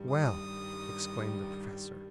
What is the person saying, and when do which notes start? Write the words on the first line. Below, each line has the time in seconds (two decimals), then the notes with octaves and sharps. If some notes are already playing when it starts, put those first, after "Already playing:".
"Well!" exclaimed the Professor.
Already playing: G2 D#3 G3
0.10 D#6